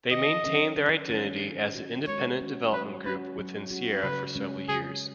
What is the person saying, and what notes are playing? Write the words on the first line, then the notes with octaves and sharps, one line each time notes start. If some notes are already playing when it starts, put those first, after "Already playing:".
They maintained their identity as an independent development group within Sierra for several years.
D#3 D#5
F#3 C#4
D#3
F#3 C#4
G#3
C#4 F#4
G#3 C#5
C#4 F#4
F#3 B4
C#4 F#4 B4
F#3
C#4 F#4
C#3 B4
G#3 C#4
C#3 G#4